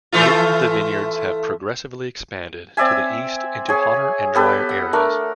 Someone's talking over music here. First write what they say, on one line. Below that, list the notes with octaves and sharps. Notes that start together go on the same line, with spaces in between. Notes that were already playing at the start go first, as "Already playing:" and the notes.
Later, the vineyards have progressively expanded to the east into hotter and drier areas.
E3 A3 F4
C4 D5 E5 G#5
G#4 C#5 G#5
B3 G4 A4 B4
F#5
A3 D4 A#4